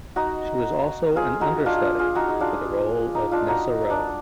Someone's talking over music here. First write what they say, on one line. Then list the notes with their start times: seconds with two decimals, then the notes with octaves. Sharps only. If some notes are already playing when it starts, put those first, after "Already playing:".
She was also an understudy for the role of Nessarose.
0.16 D#4 F#4
1.16 F4 G#4
1.41 D#4 F#4
1.66 D4 F4
1.99 F4 G#4
2.15 D#4 F#4
2.28 D#4
2.40 D4 F4
3.15 D#4
3.31 D4 F4
3.48 D#4 F#4
3.90 D4